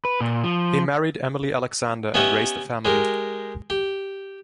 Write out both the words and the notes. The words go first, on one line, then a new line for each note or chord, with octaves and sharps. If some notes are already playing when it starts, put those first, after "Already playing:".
He married Emily Alexander and raised a family.
B4
A#2
F3
B3 C#4 G4 D#5 E5 F#5
G#3 G4 A#4
G4